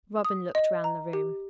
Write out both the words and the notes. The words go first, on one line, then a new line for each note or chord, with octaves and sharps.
Robin looked round the room.
D#6
D#5
A#5
G4